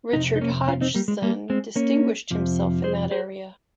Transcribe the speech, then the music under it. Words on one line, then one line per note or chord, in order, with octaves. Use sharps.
Richard Hodgson distinguished himself in that area.
F2 C3 D#4
D#4
A#3 C#4
C#4 F4
C4 D#4
G3 A#3
G#3
G3 A#3
G#3 C4
A#3 C#4
F2 C3 F3
G#4 C5
G#4 C5